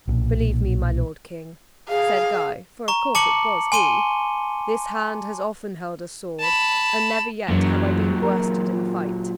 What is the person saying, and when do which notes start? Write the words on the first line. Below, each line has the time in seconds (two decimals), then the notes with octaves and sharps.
"Believe me, my Lord King," said Guy, for of course it was he, "this hand has often held a sword, and never yet have I been worsted in fight."
0.07 B1 A#2
1.89 G#4 F5
2.88 A#5 C#6
3.15 A5 D6 C#7 F#7
3.72 G#5 C6 D#7 G7
6.40 A5 B5
7.48 F#2 A#2 E3 F#3
8.22 A#4